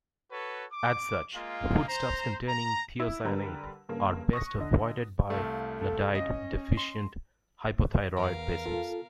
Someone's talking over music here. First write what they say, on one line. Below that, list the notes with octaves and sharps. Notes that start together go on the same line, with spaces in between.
As such, foodstuffs containing thiocyanate are best avoided by Iodide deficient hypothyroid patients.
F#4 A4 B4 C#5
D6
G#3 A#3 F4
C5 A#5
A#5
E4 E6
D3 G3 A#4 B4 A#5
G2 C#3 A#3
C#6 D#6 F#6 A#6
D3 D#5
C2 A3 F5
A4
C#4 D#5
C6
E2 A#4 F5
F4 A4